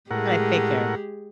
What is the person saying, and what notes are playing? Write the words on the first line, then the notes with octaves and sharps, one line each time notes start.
I figure.
A2 G#3 G4 G#4 A#4 F#5